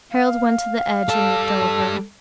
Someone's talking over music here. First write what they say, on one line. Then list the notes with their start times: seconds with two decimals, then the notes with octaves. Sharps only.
Harald went to the edge and looked over.
0.12 F5
1.09 G3 A4 A5